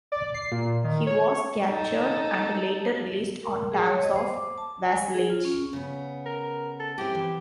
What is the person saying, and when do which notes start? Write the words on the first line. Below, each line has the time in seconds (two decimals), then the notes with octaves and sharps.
He was captured and later released on terms of vassalage.
0.12 D5
0.34 C7
0.52 A#2
0.84 D#3
1.07 C#5
1.69 D#4 A4
3.43 A#4
3.72 G#4
3.86 C#5
4.03 D#5
4.16 C5
4.34 D6
4.58 A5
4.83 G#5
5.14 G#4
5.30 F4
5.45 C#4
5.73 C#3 B3
6.26 A#4
6.80 A4
6.98 C4 E4 G4 G#4
7.15 E3